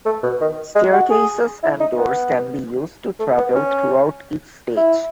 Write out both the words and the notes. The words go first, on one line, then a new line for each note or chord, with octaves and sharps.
Staircases and doors can be used to travel throughout each stage.
A3
B2
D#3
G#3
F#4
G#4
E4
D#4
B3
A3
B3
C#4
E4